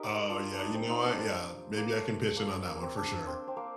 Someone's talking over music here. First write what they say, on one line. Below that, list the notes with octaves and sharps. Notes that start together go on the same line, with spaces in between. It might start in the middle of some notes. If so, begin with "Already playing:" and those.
Oh, yeah, you know what? Yeah. Maybe I can pitch in on that one for sure.
Already playing: D#4 G4 A#4
D4 F4
D4
D#4
C4
D#4
D4
C4
A#3
A3
A#3
A#3
C4
D4
C4
C4
A#3